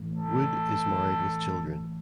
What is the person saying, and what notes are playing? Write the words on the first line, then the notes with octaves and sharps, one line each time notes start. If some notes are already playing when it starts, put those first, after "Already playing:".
Wood is married with children.
Already playing: A2 E3 A3
A4